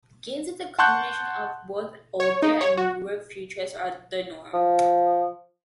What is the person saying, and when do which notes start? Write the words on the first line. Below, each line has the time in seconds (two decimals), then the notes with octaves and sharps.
Games with a combination of both older and newer features are the norm.
0.79 F#5 A5 C6 C#6 F#6 G6
2.20 C#5
2.42 D#4
2.61 C#5
2.77 F#4
4.53 F3